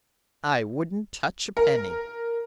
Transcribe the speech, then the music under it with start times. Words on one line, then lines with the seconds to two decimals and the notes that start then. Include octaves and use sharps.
I wouldn't touch a penny.
1.57 A#4